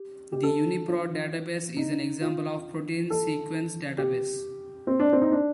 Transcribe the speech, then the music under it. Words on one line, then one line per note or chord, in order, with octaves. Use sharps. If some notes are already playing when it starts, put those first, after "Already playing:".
The UniProt database is an example of a protein sequence database.
Already playing: G4
G4
A4
F4
D#4
F4
A4
G4
C4
D4
C4
D#4
D4